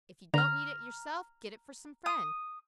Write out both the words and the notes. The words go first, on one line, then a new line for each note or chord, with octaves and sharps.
If you don't need it yourself, get it for some friend.
D3 A#5 F6
D#6